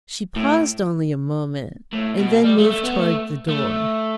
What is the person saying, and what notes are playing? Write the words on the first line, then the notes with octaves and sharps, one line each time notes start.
She paused only a moment, and then moved toward the door.
A2
A2
B2
G3
A3
A3
B3
A3
A3